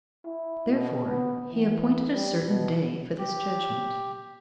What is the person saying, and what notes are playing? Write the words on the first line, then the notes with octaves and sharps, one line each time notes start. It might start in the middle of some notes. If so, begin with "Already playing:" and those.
Therefore he appointed a certain day for this judgment.
E4
B2
B3
E3
G3
B2
G4